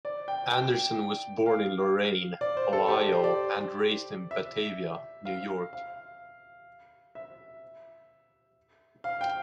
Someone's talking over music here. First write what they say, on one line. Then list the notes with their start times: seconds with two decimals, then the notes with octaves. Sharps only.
Anderson was born in Lorain, Ohio and raised in Batavia, New York.
0.05 D5
0.28 G5
0.52 G5
1.46 F5
2.41 D5
2.57 C5
2.73 A4
2.89 G4
3.12 C5
3.24 D5
4.31 E5
5.25 F5
5.73 F5
7.15 E5
9.04 F5
9.21 G5